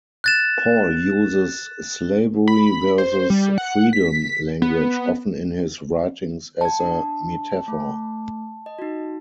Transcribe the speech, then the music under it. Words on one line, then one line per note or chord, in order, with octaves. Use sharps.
Paul uses slavery versus freedom language often in his writings as a metaphor.
F#6 A6 E7
B5
C5
G3
F#5
B6
B3
G5 A5 G#6
D4
A3
D#5
D#4 F#4